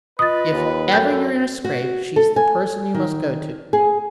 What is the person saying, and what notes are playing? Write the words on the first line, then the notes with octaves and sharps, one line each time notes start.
"If ever you're in a scrape, she's the person you must go to."
F4 B4 D#5 D#6 A6
D#2
F#2 A4 G5 G6
F#4
A4
G#5
D#3
G#4